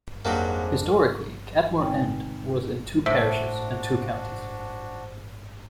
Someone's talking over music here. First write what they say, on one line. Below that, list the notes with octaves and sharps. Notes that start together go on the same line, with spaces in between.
Historically Cadmore End was in two parishes and two counties.
F2 G#2 F#3 G3 A#3 D4 A#4
B2 D3 G#3 C4 D#4 G5
A2 D4 F#4 C5 E5 A5 D7